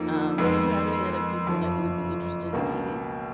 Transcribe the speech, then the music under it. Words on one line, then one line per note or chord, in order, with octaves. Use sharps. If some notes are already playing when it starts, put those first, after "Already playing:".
Um, do you have any other people that you would be interested in meeting
Already playing: F2 F3 A#3 D#4
F2 D#3 G#3 B3
F#1 F2 F3
C#2 B2 A#3